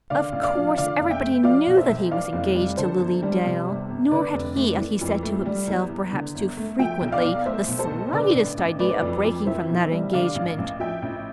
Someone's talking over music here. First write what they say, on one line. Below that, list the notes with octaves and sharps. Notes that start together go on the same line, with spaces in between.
Of course, everybody knew that he was engaged to Lily Dale; nor had he, as he said to himself, perhaps too frequently, the slightest idea of breaking from that engagement.
D3 D5 F5
A1
D5 F5
F3
D3 D5 F5
F1
E5 G5
A3
F3 D5 F5
B1
C5 E5
B1
E3 D5 F5
F1
G3
D3 A4 C5
G1
G3
C3
G1
G1
D3 B4 D5
F1
A3
E3
F2
A3
G3
E2
E2
D3
G1
A3
F3 E5 G5
B1
D5 F5
B1
A3 C5 E5
B1
A4 C5
B1
D3 B4 D5
A1
A1
A3 B4 D5
F2
F2
E3 C5 E5
B1
G3
D3 D5 F5
A1
A1
F3 E5 G5
A1